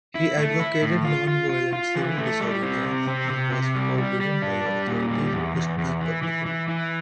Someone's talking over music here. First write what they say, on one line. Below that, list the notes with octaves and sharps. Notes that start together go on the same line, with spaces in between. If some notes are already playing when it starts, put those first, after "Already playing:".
He advocated non-violent civil disobedience and was forbidden by the authorities to speak publicly.
E4
A3
E4
A2
F4
F4
F4
F4
E3
A3
G3
C4
C3
C4
C3
C3
G3
G3
G3
D4
G3
A#2
G3
E2
E2
E2
E3
E3
E3
E3